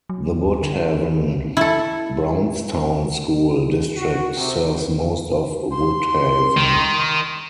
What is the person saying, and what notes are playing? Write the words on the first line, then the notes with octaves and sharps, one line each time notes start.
The Woodhaven-Brownstown School District serves most of Woodhaven.
F#3
D#2
D3
E4 A4
F#4
C3
C6
D#3